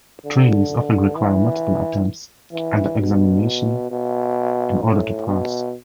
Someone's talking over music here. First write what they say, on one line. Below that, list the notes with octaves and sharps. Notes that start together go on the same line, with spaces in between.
Trainees often require multiple attempts at the examination in order to pass.
D3
E3
E3
B2
B2
A2
B2